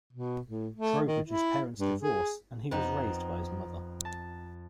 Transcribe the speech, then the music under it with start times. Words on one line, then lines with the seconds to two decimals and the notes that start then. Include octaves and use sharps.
Trowbridge's parents divorced, and he was raised by his mother.
0.13 B2
0.47 A2
0.74 A3
1.06 D#3
1.27 E4
1.77 G2
2.01 G#4
2.71 F2 B3 C4 D#4
4.05 A5